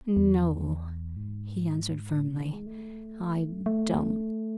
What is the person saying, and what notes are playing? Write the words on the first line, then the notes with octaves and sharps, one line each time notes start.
"No," he answered firmly, "I don't!"
E2
G#2
A2
C3
D#3
G#3
A3
A3